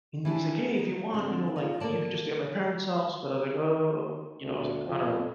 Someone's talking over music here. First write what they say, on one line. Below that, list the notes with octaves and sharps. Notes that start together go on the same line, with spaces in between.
and he's like, "Hey, if you want, you know, like, you could just stay at my parents' house," but I was like, "Oh," you know, I was like, "I don't know."
E3 D4 G4 A5
D#4
D3 C4
D#4 F4
A#3 A4 D5 A5
D2
F2